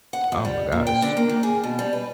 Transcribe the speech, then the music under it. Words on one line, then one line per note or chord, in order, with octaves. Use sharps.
Oh my gosh.
F#5
F2
G3
A#2
G5
D3
A#3
D#3
G#4
B2
G3
B4